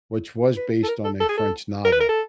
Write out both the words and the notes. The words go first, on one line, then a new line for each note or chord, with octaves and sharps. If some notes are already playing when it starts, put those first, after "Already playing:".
which was based on a French novel,
B4
A4
A#4
A4
A4
G#4
A4
A#4
B4
A#4
A4